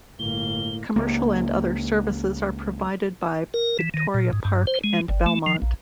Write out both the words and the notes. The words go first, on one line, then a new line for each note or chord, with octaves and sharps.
Commercial and other services are provided by Victoria Park and Belmont.
G1 A2 A#3 G7
C#2 A#3
A#4
E3
D#3
A#2
G#2
G2
C5
G#3
G1
A3
F3
A#1